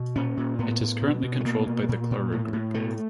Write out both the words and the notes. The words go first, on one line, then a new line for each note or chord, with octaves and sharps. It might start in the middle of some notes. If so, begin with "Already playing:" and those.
It is currently controlled by the Claro Group.
Already playing: B2
A#2 C#4
A#2
A2 B3
A2
B2
B2
A3
B2 A#3
B2
A#2
A#2
A2
A2
B2 A3